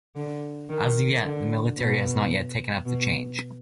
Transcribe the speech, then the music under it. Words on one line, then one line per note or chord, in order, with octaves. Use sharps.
As of yet, the Military has not taken up the change.
D3
D#3
D3
B2
B2